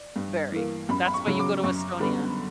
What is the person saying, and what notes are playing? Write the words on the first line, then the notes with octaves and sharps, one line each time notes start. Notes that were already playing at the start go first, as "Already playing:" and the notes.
Very. That's why you go to Estonia.
Already playing: D5
G2
E3 A#3
F#2 B5
B5
C#6
C#3 F#3
D6
F#2 C#6
D3 G3 B3 B5